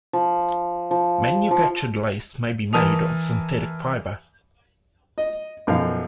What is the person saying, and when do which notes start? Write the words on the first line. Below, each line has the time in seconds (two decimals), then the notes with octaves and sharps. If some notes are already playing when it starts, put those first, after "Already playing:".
Manufactured lace may be made of synthetic fiber.
0.13 F3
0.91 F3
1.51 F3
2.73 E3 A#4 A5 D#6 F7
5.18 D#5
5.67 B1 F#2 F3 F5